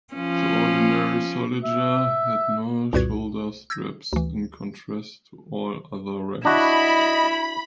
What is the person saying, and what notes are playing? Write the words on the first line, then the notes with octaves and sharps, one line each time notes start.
The ordinary soldier had no shoulder straps in contrast to all other ranks.
F3 C#4
E5
C2 F2 A#2 F#4 B4 G#6
E6 G6 G#6 A#6
D2 E3
D4 E4 F#4 D#5 B5